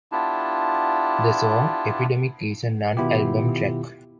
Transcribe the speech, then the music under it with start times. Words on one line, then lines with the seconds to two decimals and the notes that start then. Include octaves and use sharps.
The song "Epidemic" is a non-album track.
0.12 B3 D4 E4 F4 G4 A5
2.97 B2 D#3 B3 E4 F4 G4